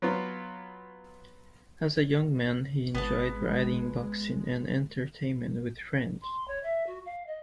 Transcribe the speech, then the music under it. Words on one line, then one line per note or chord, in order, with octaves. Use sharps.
As a young man he enjoyed riding, boxing, and entertainment with friends.
F#3 B3 F4
G#1 G#3 B3 A5
C6
C#5
E5
F#4
F5
D#5